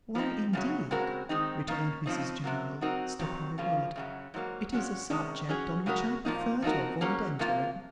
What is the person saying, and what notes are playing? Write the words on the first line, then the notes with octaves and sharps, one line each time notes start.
'Why, indeed,' returned Mrs General, stopping the word, 'it is a subject on which I prefer to avoid entering.
F3 G#3 C4 D#4
F#2 C#3 F#3
C#3 G#3 C4 F#4 A#4
D#3 G#3 C4 D#4
D#3 A#3 C#4
C#3 F3 C4 D#4
C3 F#3 A#3
F#3 C4 D#4 F#4 A#4
F2 C3 D#3 F#3
C#3 F3 A#3 F4
F#2 C#3 F#3
G#2 F#3 A#3
A#2 G#3 C#4 F#4
C3 D#3 G#3 C#4
F#3 C#4 G#4
C#3 G#3 C#4 F#4 A#4
A#2 F3 A#3 D#4
F3 C4 D#4 F#4 A#4
F#3 A#3 C#4 G#4
C3 F3 A#3 F4